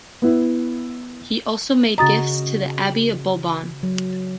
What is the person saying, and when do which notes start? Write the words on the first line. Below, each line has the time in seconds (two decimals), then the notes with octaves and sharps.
He also made gifts to the Abbey of Boulbonne.
0.22 B3 E4
1.98 C#3 F#4 D#5 A#5 D#6 A6
3.83 F#3